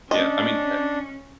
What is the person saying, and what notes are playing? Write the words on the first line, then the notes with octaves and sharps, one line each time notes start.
yeah, I mean, uh
C#4 D4 D#5